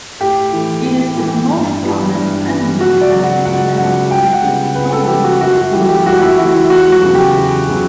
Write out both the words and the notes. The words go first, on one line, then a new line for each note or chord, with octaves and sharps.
It is the most common amino acid metabolic problem in the United Kingdom.
A2 G4
E3 A3
A2
E3 A3
G2
E3 G3 B3
G2
E3 G3 B3
C#2 F#4
D5
C#3 F#3 B3
F#5
C#2 F#5
C#3 F#3 B3 F#5
C#2 G5
F#5
C#3 G3 B3
C#2 B4
A4
C#3 G3 B3 G4
F#4
F#2 F#4
F#4
E3 A3 G4
G4
F#2 F#4
E4
E3 A3 F#4
E4
E2 F#4
F#4
C#3 F#3 B3
G4
E2
C#3 F#3 B3